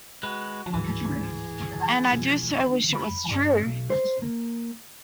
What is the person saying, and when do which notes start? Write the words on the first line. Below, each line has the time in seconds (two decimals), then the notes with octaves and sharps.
And I do so wish it was true!
0.23 G#3 F#4 B4
0.74 D1 G#2 E3 F#3 G#4
2.13 B2 F3
2.93 B5
3.31 G2
3.66 B1
3.90 C5
4.22 A#3